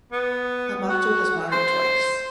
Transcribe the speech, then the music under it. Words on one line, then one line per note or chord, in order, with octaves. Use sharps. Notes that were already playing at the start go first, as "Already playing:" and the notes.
Amato has married twice.
B3
F#4
C5